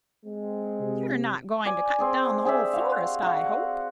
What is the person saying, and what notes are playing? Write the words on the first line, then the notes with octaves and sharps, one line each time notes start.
"You're not going to cut down the whole forest, I hope."
G#3 C4
C3
D5 G#5
C4 G#4 D5
G4 G#4 D5 E5
F#4 F5
F#4 F5